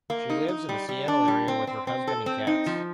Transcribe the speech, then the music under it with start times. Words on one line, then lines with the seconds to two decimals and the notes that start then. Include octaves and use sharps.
She lives in the Seattle area with her husband and cats.
0.10 A#3
0.30 D#4
0.48 D#4
0.69 G3
0.89 G3
1.08 D4
1.28 G3
1.48 C4
1.67 C4
1.87 C4
2.07 A4
2.26 C4
2.47 D#4
2.66 F3